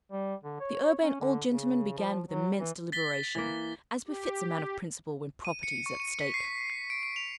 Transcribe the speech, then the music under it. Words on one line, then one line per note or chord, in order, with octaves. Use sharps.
The Urbane Old Gentleman began with immense deliberation, as befits a man of principle when Property is at stake.
G3
D3
C#5
C#4
D3
C#3
F3
F#3
E3
A6 B6 G7
E3 A#3
G4
D#7
C#7
C#6
D#7
B6
C7
C7
D7
D7
F7